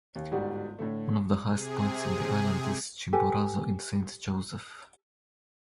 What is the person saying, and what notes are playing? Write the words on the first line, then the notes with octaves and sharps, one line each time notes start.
One of the highest points in the island is Chimborazo in Saint Joseph.
D#2
G1 G#2 G3 F#4 G4 D5
A2 D3 A3
C3 G#4
G4 A4 B4 G#5